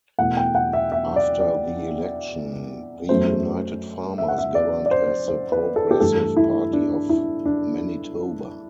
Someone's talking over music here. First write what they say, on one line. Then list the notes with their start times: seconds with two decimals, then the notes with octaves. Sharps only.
After the election, the United Farmers governed as the "Progressive Party of Manitoba".
0.18 E2 B2 A3 F#5
0.37 G5
0.55 F#5
0.73 E5
0.92 E5
1.16 D5
1.40 D5
3.09 F#2 F#3 A3 C5
4.18 E5
4.28 F#5
4.38 E5
4.55 D5
4.86 D5
4.91 C5
5.28 C5
5.52 B4
5.76 A4
5.91 G4
6.00 G2 E3 A3 A4
6.37 E4
6.73 D4
7.09 E4
7.46 D4